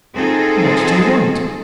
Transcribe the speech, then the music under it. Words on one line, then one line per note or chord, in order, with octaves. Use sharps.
"What do you want?"
C4 D#4 F4 G#4 A4